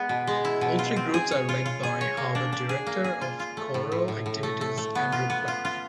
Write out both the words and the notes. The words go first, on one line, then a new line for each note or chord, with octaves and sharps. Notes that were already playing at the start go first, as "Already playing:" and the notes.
All three groups are led by Harvard Director of Choral Activities Andrew Clark.
Already playing: G#3 B3
B2
G#3
E4
B2
F4
C4
G#4
C#5
F4
F4
G#4
C#5
A#3
D4
D4
G#4
A#3
G#4
F4
F4
A3
A2
A2
A2
A2
A3
A3
A3
B3
F4
B3
F4
F4